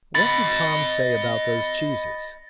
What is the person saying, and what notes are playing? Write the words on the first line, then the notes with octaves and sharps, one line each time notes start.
"What did Tom say about those cheeses?"
D#5 B5 A6